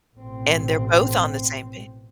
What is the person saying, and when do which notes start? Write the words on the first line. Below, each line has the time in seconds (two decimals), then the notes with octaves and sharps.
and they're both on the same pa
0.16 A1 B2 C4